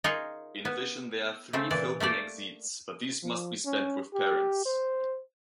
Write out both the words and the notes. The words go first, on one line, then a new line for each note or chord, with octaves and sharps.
In addition, there are three floating exeats but these must be spent with parents.
D#4 F4 G#4 A#4 C#5
B3
C#3 A3 C4
A#2 E3 D5
A3 A#3 G4 D5
F3
C#4
G4
C5